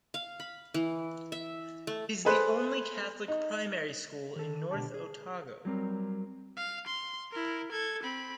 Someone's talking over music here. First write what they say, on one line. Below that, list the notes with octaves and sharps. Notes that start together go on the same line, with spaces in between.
It is the only Catholic primary school in North Otago.
F5
B5
E3
E5
A3
G#4 A4 B4 C5 F#6
D#4
D#3 A4
B2 D3 G4 A5
G#4
F#3 G3 C4 A#4
F5
C6
E4 A#4
A4 G#6
C4 B5